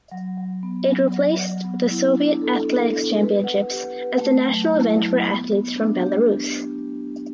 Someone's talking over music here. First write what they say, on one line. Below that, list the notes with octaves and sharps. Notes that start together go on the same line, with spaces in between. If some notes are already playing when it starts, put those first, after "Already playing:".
It replaced the Soviet Athletics Championships as the national event for athletes from Belarus.
F#3
F#3
B3
F#3
F#3
F#3
B3
E4
D4
A4
A4
B3
B4
F#5
G4
B4
A3
F#3
E4
F#3
B3
B3
D4
G4